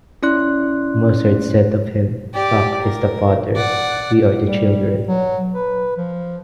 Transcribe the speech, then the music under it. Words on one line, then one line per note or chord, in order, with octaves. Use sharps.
Mozart said of him, Bach is the father, we are the children.
C#4 E4 D5 C6 F#6
G4 D5
A#4
D5 F#5
G3
F#3
B4
F3